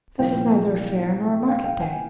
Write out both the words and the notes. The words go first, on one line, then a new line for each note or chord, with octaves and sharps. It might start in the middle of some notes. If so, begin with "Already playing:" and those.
This is neither a fair nor a market day.
C2 A#2 F3 F5 G5
F5 G5
F5 G5
F#5 G#5